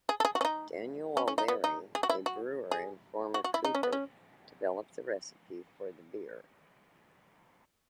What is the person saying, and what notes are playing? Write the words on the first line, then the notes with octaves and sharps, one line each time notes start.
Daniel O'Leary, a brewer and former cooper, developed the recipe for the beer.
G#4
A4
G#4
F#4
C#4
D#4
C#4
C#4
D#4
B3
D#4
G#4
F#4
E4
F#4
G#4
F#4
F#4
E4
D#4
C#4
B3
C#4